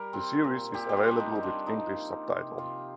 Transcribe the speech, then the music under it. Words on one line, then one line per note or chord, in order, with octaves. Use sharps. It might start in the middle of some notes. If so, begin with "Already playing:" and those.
The series is available with English subtitle.
Already playing: G3 A#4
C4
A#2
A#2 G4
G4
F4
G3
D4
D#4
C4
D4
F3 D#4
A#3
C3
C3 F4